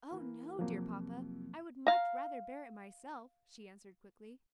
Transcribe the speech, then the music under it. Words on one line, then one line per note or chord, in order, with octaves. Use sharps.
"Oh, no, dear papa, I would much rather bear it myself," she answered quickly.
E3 A#3
F2 C3 F3 F#3 A#3
F5 A#5